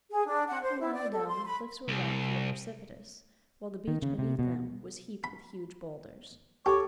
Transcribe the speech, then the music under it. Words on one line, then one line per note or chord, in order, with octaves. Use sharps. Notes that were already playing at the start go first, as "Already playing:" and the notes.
Half a mile down the cliffs were rocky and precipitous, while the beach beneath them was heaped with huge boulders.
G#4
D4
F#5
C5
E4
D5
A4
C6
B5
C2
D#3
C#3
C3
B2
B5
G4 A4 C#5 D6